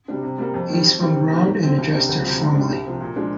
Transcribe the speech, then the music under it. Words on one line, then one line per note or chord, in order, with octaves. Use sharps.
He swung round and addressed her formally.
C3 G3 D4
C3
G3 A#3
F2
D#3 G3
F2
D#3 G3 C4
C3
D#3 A#3
D#2
D3 F3 C4
C2
C3 G3 D4
D2
C3 F3
G#2
G3 D4
C2
C3 F3
A#2
F3 G#3 D4